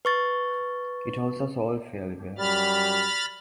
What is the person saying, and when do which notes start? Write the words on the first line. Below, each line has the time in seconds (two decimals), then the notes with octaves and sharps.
It also sold fairly well.
0.05 B4 C#6 A6
2.39 F#2 G3 B5 F6 A6